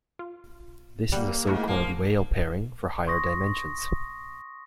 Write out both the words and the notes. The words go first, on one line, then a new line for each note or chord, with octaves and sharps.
This is the so-called "Weil pairing" for higher dimensions.
F4
G3 A#3 F#5
G#2 A3 E4 F#4
F3 A#3
C6 C#6 D#6 A#6